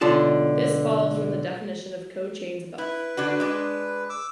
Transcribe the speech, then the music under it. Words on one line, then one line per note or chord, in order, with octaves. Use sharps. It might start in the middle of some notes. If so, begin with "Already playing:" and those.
This follows from the definition of cochains above.
B1 D3 F4 A5
E4 B4
D3 D4 F#4
G#3 D4
D6 E6